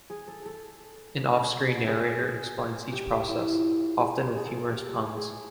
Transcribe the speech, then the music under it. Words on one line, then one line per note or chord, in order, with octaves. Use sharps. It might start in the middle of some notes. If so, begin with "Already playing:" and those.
An off-screen narrator explains each process, often with humorous puns.
G#4
A4
A4
G#4
G#4
G#4
G4
E4
F4
G#4
G4
G#4
A4
G4
A4
G#4
G#4